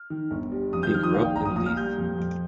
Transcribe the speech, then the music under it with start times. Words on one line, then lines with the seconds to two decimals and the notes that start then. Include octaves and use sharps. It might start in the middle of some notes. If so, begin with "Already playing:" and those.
He grew up in Leith.
Already playing: F6
0.10 D#3
0.31 G1
0.52 G3
0.73 F2 D#6
0.83 G6
0.94 D#3 F6
1.03 D#6
1.14 A#1 F5
1.24 G5
1.35 A#1 A#5
1.45 D#6
1.56 A#2 D#6
1.66 F6
1.76 G3 G6
1.98 F2
2.18 F2